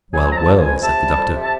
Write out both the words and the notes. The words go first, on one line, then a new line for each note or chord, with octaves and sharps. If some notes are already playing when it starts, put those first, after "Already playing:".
"Well, well!" said the Doctor.
F#3 G#5
F2 A#5
A5
F2
G#5
F2
C3 A5
G3
F2
C3
A5